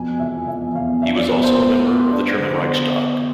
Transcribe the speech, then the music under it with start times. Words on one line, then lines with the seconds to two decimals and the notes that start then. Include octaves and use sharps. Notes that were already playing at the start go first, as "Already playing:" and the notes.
He was also member of the German Reichstag.
Already playing: F2 B2 G#5
0.20 E2 E5
0.48 E2 E5
0.75 E2 F5
1.02 D4 E5
1.16 D5
1.29 B2 B4
1.43 C5
1.57 B2
1.84 B3
2.11 D4
2.39 D3